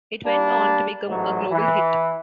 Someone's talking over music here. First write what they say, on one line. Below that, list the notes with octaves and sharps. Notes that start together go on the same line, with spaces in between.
It went on to become a global hit.
G3 A#3 D4
A1 G#2 F#3
E3